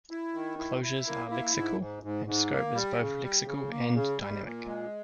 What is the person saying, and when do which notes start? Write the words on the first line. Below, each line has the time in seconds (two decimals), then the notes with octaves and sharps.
Closures are lexical, and scope is both lexical and dynamic.
0.11 E4
0.34 D#3
0.58 E4
0.82 E4
1.06 A#3
1.31 E4
1.55 G#2
1.79 G#2
2.03 G#2
2.26 G#2
2.51 A#3
2.75 G3
2.99 C#3
3.22 G3
3.46 C#3
3.70 A#3
3.95 C#3
4.19 G3
4.42 A#2
4.66 G#3